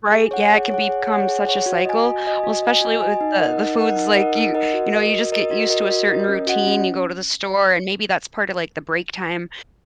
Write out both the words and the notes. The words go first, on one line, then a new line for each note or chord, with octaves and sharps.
Right, yeah, it can become such a cycle. Well, especially with the the foods, like, you you know, you just get used to a certain routine. You go to the store, and maybe that's part of, like, the break time,
G#4
C#5 F#5
G#4
C#5 F#5
G#4
C#5
F#5
G#4
C#5 F#5
F#4
D#5 G#5
F#4
D#5 G#5
F#4
D#5 G#5
F#4
D#5 G#5
D#4
A#4 D#5 F#5
D#4
A#4 D#5 F#5
D#4
A#4 D#5 F#5
D#4
A#4 D#5 F#5
F#4
A#4 D#5
F#4
A#4 D#5
F#4
A#4 D#5
F#4
A#4 D#5
C#4
F#4 D#5 F#5
C#4